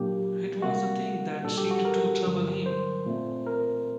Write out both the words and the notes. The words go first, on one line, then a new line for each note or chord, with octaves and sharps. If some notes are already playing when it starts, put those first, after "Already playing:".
It was a thing that seemed to trouble him.
Already playing: A#2 F#3 A#3 D4 G4
C3 G3 A#3 F#4
A#2 G3 D4 A4
G4
F#4
A#4
G2 D3 F#3
C5
A#2 A3 C4
A#4